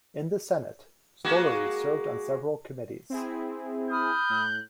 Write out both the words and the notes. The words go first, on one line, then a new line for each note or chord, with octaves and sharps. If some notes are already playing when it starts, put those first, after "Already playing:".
In the Senate, Stollery served on several committees.
G#3 A#3 F#4
C4 E4 G#4
B5 D#6 F6 G6
A2 F#6